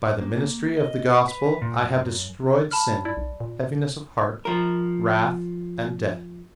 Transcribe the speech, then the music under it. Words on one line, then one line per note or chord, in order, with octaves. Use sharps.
By the ministry of the Gospel I have destroyed sin, heaviness of heart, wrath, and death.
A#3
D#5
B4
A#2
F#2
A5 B5 F6
E4 D5
B1
A#2
F3 A#4